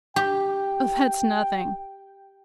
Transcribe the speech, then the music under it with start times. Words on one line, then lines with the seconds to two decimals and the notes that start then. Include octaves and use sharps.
"Oh, that's nothing."
0.16 G4 G5